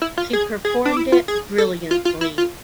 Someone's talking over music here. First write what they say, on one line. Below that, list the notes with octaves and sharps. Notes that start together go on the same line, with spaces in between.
She performed it brilliantly.
E4
F4
G#4
G#4
D4
E4
F4
G#4
A4
F4
F4
E4
F4